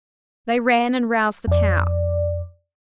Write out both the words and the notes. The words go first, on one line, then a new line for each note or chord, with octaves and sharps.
They ran and roused the town.
F2 D5